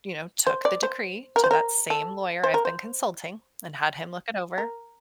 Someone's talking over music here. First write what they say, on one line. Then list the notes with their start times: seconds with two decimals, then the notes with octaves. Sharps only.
you know, took the decree to that same lawyer I've been consulting, and had him look it over,
0.47 C5
0.65 D5
0.83 C5
1.36 A#4
1.44 C5
1.51 A#4
1.90 A4
2.44 C5
2.54 A#4
2.65 C5
4.58 A#4